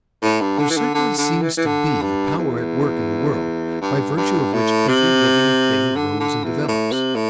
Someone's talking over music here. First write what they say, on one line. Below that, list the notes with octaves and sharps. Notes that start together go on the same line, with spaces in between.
There certainly seems to be a power at work in the world, by virtue of which every living thing grows and develops.
A2
G2
D3
E3
D3
D3
D3
E3
E3
D3
G2
E2
G2
G2
A2
C3
D3
D3
E2
A2
C3
A2